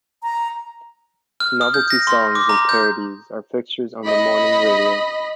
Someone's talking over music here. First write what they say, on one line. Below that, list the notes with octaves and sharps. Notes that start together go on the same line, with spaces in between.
Novelty songs and parodies are fixtures on morning radio.
A#5
F6
D#6
G6
A#6
C6
D6
A#5
G6
D#5 B5